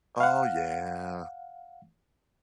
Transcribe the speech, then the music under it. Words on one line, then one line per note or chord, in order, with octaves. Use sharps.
Oh yeah.
F5 F#5